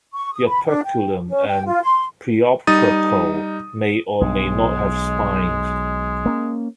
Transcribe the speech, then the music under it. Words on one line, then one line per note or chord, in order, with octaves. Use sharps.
The operculum and preopercle may or may not have spines.
C#6
D#6
B5
D4
G5
C#4
G5
F4
C6
G3 D#4 D#6 A6
B1 G#3
A#3 C#4